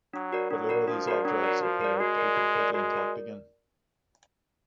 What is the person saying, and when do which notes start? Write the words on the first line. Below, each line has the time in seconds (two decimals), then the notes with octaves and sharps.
But later these objects appear to be completely intact again.
0.14 F#3 D4
0.33 F#4 A#4 D5
0.50 F#3 D4
0.69 F#4 A#4 D5
0.88 F3 D4
1.07 F#4 A#4 D5
1.25 F#3 D4
1.44 F#4 A#4 D5
1.63 F3 F#4
1.81 A#4 D5
1.99 G#3 F#4
2.18 A#4 D5
2.37 F#4
2.55 A#4 D5
2.74 G#3 F#4
2.93 A#4 D5